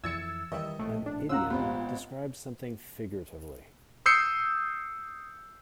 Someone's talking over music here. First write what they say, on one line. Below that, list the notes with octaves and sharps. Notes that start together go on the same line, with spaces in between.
An idiom describes something figuratively.
F2 E3 E6 G#6 A6 C#7
D#3 E3 G3 D#5
A#1 A2 C3 A3
D4
C#4 F4 F#5 A#5 E6
G#1 B3 C4 F4 G4
D#6 E6 G6 C7 C#7